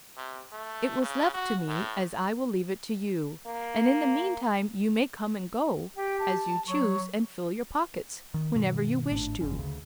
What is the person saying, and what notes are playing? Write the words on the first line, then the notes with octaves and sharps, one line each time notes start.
It was left to me as I will leave it to you, and in the meantime you may come and go as you choose and fill your pockets whenever you wish to.
C3
A3
C#3
F#4
A2
A#3
G4 G5
A5
F#3 C#6
D#3
G2 B2 D#3
G#1 A2 A3 D4
G1 F2 D3 C#4
D2 C#3